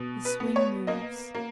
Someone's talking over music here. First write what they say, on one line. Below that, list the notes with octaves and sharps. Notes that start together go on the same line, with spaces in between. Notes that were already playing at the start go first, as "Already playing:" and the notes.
The swing moves.
Already playing: B2
B4
B3
C#5
A#3 D#5
A#3